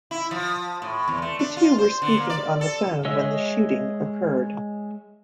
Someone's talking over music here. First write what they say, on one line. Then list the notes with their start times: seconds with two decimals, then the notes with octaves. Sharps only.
The two were speaking on the phone when the shooting occurred.
0.11 E4
0.31 F3
0.82 A2
1.08 E2
1.22 A3
1.39 D4
1.57 F4
1.78 C5
2.02 D3
2.17 A#3
2.30 D5
2.61 A4
3.05 G#3 C#5 D#5 E5 E6